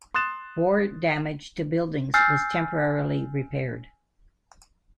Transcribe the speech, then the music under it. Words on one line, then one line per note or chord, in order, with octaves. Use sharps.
War damage to buildings was temporarily repaired.
C6 D#6 F#6 A6 E7
G#5 E6 F6 G6 A6 C7